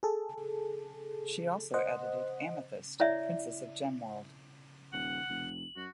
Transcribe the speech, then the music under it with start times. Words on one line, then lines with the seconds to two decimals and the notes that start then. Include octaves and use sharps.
She also edited "Amethyst, Princess of Gemworld".
0.03 G#4 A4
1.74 C5 D#5 F#5
3.00 E4 C#5 D5 E5
4.93 D#1 F#5 F#7
5.30 F1
5.77 F#2 F#4